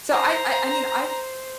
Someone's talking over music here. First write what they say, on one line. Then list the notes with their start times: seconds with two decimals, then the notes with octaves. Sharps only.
so I I I mean, I
0.10 C5 A#5